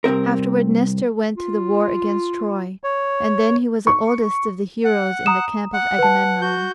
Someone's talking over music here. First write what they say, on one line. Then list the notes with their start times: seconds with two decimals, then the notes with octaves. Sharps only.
Afterward Nestor went to the war against Troy, and then he was the oldest of the heroes in the camp of Agamemnon.
0.04 C2 A#2 C4 A#4
1.36 F4
2.84 C#5
3.87 C#6
4.85 F#5
5.26 A#5 D#6 E7
5.74 F#5
5.99 B4 A5
6.42 F#4 G6